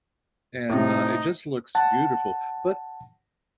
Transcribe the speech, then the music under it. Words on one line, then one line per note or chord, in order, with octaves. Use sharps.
and, uh, it just looks beautiful, but
A2 C3 D#4
F#5 A5